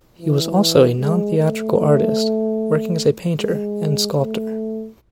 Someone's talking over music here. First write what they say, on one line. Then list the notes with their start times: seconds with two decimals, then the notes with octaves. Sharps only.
He was also a non-theatrical artist, working as a painter and sculptor.
0.19 E3
0.98 G#3
1.37 A3
3.37 G#3
4.17 A3